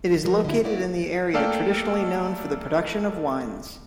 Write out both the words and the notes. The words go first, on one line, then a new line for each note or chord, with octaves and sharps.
It is located in an area traditionally known for the production of wines.
F3 G3 A#4
D3 E4
A#3 B3 C#4 E4 D5
A3 A#3 A4 D5 F5 G5